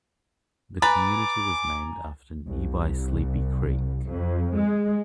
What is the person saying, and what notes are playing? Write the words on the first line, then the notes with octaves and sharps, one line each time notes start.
The community was named after nearby Sleepy Creek.
B4 G#5 A#5 D6 A6
C2
F2
G#3